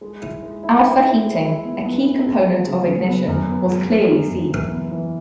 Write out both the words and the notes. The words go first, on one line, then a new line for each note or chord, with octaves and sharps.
Alpha heating, a key component of ignition, was clearly seen.
G#3
E4
G#3
E4
E4
E4
G#3
E4
B3
B3
B3
G#3
G#3
C#3
C#3
B3
F#2
B3
G#3
G#3
B3
F#2
E3
B3
E3